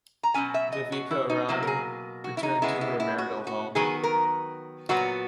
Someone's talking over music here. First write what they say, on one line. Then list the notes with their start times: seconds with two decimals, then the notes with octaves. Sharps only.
Devika Rani returned to her marital home.
0.23 A#5
0.34 B2 F#3 C#4 G#5
0.54 E5
0.72 D#5
0.92 F#4
1.11 E4
1.30 D#4
1.49 B2 F#3 A#3 E4
1.63 A#4
1.67 G#4
2.24 F#4
2.37 E4
2.43 D#4
2.62 C#3 G#3 B3 E4
2.81 E4
3.00 E4
3.18 F#4
3.47 F#4
3.75 D#3 F#3 B3 G#4
4.03 A#4
4.89 A#2 F#3 B3 F#4